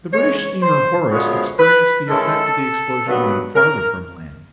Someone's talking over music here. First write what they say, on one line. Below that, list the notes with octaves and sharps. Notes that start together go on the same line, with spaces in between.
The British steamer Horace experienced the effect of the explosion when farther from land.
C#3 E3 G#3 C#5
C5
F#2 D3 F3 G#3 B3 C#5
B4
D#3 G#3 C#4 E4 A4
G2 D#3 F#3 B3
A#4